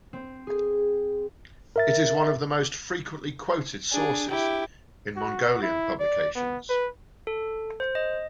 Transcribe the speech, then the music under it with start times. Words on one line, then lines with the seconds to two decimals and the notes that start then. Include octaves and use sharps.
It is one of the most frequently quoted sources in Mongolian publications.
0.13 C4
0.47 G#4
1.76 A#4 E5 A6
3.92 D4 G#4
4.29 E4 G4
5.16 F#4
5.63 E4
6.00 D5
6.36 B3
6.70 B4
7.27 A4
7.80 C5
7.95 D#5